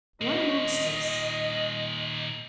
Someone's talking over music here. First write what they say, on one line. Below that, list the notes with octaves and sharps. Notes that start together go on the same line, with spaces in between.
Why monsters?
A#2 D#3 D#5